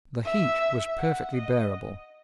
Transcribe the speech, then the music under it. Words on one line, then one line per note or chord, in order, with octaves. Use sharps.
The heat was perfectly bearable.
E5
F#5
D#5